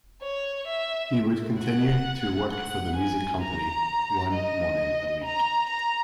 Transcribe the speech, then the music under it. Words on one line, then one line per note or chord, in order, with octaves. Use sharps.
He would continue to work for the music company one morning a week.
C#5
E5
F#5
F#5
G#5
A#5
D#5
A#5
A#5